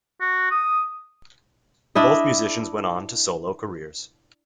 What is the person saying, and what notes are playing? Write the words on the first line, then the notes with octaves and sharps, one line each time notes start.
Both musicians went on to solo careers.
F#4
D#6
D4 E4 D#5